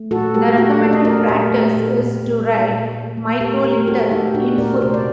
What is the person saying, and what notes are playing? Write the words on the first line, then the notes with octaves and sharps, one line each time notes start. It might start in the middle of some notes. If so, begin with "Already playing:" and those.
The recommended practice is to write "microlitre" in full.
Already playing: A3
A#2 F#4 A4
A3 G4 A#4
A3 F#4 A4
A3
D#5
A3 A#4 D5
A#2 G4 A#4
A3
A#2
A#2
A#2
A#2
A#2
A#2
A3
A3 G4 A#4
A3 G4 A#4
A3 F#4 A4
A3 D#4 G4
A#2 D4 F#4
A#2 A#4 D5
C3 C5
D5